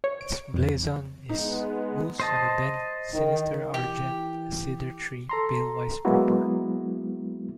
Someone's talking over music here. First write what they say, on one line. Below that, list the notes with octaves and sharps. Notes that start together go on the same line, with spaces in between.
Its blazon is "Gules on a Bend Sinister Argent a Cedar Tree palewise proper".
C#5
D7
F2
G#3 B3 D#4
C5 D#5 A5
D#3
E3 G4
A4 A#5 C6
F#3 G#3 A#3 B3 E4 F#4